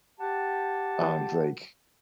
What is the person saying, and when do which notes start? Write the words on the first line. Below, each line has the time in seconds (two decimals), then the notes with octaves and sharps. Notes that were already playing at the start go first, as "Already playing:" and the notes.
um, like
0.20 G4 F#5 A5